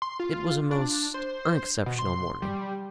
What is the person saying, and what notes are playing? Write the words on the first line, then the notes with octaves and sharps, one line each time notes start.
It was a most unexceptional morning.
C6
F4
D4
C5
B2
C6
G3